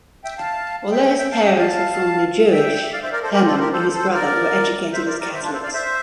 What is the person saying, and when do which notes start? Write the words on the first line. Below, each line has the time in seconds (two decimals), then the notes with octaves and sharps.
Although his parents were formally Jewish, Hermann and his brother were educated as Catholics.
0.24 E5 G5
0.38 F5 A5
0.91 E5 G5
1.05 E5 G5
1.18 E5 G5
1.32 F5 A5
1.45 E5 G5
1.58 F5 A5
2.52 E5 G5
2.83 E5
2.93 D5 F5
3.02 C5 E5
3.12 A#4 D5
3.23 A4 C5
3.33 G4 A#4
3.45 F4 A4
3.53 C5
3.59 G4 A#4
3.73 A4 C5
3.93 A4 C5
4.12 A#4 D5
4.93 C5 E5
5.06 A#4 D5
5.20 A#4 D5
5.33 C5 E5
5.43 D4 F4
5.53 A4 C5
5.63 D5 F5
5.73 C5 E5